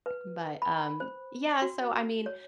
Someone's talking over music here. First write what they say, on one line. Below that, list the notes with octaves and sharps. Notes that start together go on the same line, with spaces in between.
But, um, yeah, so, I mean,
B4
B5
C5
F#4
C#5